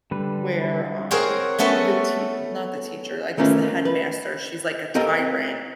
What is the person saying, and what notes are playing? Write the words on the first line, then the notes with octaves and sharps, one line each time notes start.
where, um, the tea not the teacher, I guess the headmaster, she's like a tyrant,
D3 G3 B4
C4 G#4 A#4 C5 C#5 F#5
A3 B3 C#4 F#4 A4
D#3 A3 A#3 C#4 F4 B4
B4
C4 G4 A4 A#4 D#5 F5